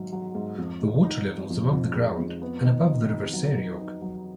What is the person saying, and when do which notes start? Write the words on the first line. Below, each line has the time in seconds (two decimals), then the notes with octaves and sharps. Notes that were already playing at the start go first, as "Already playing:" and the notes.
The water level is above the ground and above the River Ceiriog.
Already playing: G#2 D#3 F#3
0.13 F#3
0.35 G#2
0.58 F2
0.82 D#3
1.05 D#4
1.26 D#4
1.50 F2
1.73 F2
1.95 G#3
2.18 F2
2.42 B3
2.64 D#3
2.87 D#3
3.10 D#3
3.33 F#3
3.56 F#3
3.79 D#4
4.02 F#3